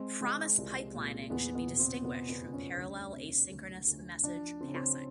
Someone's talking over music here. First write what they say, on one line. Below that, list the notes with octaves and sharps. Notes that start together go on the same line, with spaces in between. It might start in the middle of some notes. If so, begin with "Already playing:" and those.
Promise pipelining should be distinguished from parallel asynchronous message passing.
Already playing: G#3 C4
G#3
C2
A#2
E2 B3
B3
B2
C4
B2 B3
B3
F1
C#4
D2
C3
D2
D2
F3 D4
C#3 C4
C#4
C4